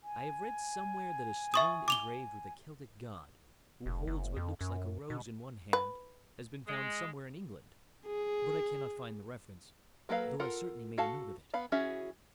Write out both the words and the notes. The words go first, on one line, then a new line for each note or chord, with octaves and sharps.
I have read somewhere that a stone engraved with a Celtic god, who holds what looks like a rose in one hand, has been found somewhere in England; but I cannot find the reference, though I certainly made a note of it.
G#5
E5 C#6 D#6
D6 F7 G7
F1
F#1
F2
F#2
B2
B4
G#3
G#4
F#3 A#3 A4 B4 F5
F4 A4 A#4 F#5
F#4 A4 F5 A5
B3 F5 B5
E3 C#4 F#4 G#4 E5